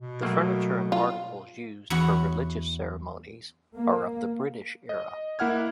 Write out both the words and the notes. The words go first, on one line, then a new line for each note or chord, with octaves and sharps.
The furniture and articles used for religious ceremonies are of the British era.
B2
F#3 A3 A#3
F4
E2 F#4 C#5 B5
A#3
D#5
A#3 E4 F#5 F6 G#6